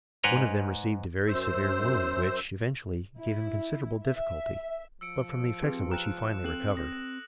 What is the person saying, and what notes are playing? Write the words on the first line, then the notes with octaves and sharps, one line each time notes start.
One of them received a very severe wound; which, eventually, gave him considerable difficulty; but from the effects of which he finally recovered.
G#2 B4 C#5 D#5 G5 A#5
F#2 C5 E6
E4
E5
F3 E6 C#7 D7
C4 G4 G#4 B4
G5 A#5 F6 F#6 E7
C4 A4 F#6 F#7
D#6 A#6